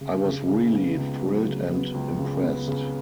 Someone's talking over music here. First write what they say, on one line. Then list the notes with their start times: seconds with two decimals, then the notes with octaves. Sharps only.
I was really thrilled and impressed.
0.01 C#3
0.25 C#3
0.49 C#3
0.73 B3
0.97 C#2
1.22 F#3
1.46 C#3
1.71 B3
1.94 C#2
2.19 C#3
2.43 B3
2.68 C#3